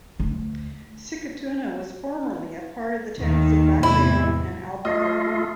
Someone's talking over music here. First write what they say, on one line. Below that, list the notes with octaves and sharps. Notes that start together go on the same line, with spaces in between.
Sikatuna was formerly a part of the towns of Baclayon and Alburquerque.
D2
D#2 D#3
E2 A2 C3 E4
A3 F4 D#5